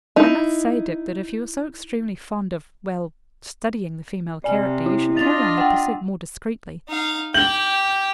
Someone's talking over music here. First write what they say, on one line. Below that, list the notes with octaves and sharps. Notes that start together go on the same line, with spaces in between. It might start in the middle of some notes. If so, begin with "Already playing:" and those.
I must say, Dick, that if you are so extremely fond of--well--studying the female character, you should carry on the pursuit more discreetly.
D#4 E4
C3 D5 G#5
E4
D4 F4 D#5 A6 F7
F#5 G5
D#4 F5
G4 G5 G6 F#7